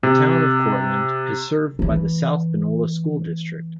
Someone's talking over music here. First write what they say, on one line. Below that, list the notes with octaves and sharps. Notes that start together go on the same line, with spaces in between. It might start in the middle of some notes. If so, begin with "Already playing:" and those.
The Town of Courtland is served by the South Panola School District.
C3
E3 A3